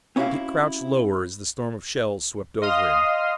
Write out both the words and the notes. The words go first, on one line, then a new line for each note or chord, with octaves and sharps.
Dick crouched lower as the storm of shells swept over him.
C4 C#4 E4 F#4 G4 F5
D#5 F5 C6 D#6 F6